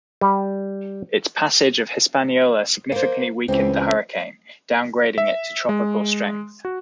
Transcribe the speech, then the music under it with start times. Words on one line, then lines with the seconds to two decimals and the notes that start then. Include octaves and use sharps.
Its passage of Hispaniola significantly weakened the hurricane, downgrading it to tropical strength.
0.21 G3
2.92 A#3 C5
3.48 C#2 E3 C4
5.18 E5
5.69 G#3
6.65 F#4